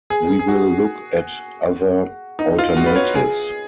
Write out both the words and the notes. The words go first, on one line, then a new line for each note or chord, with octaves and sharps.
We will look at other alternatives.
G#4
G#4
F#4
D#4
F4
F#4
B4
C#5
G#4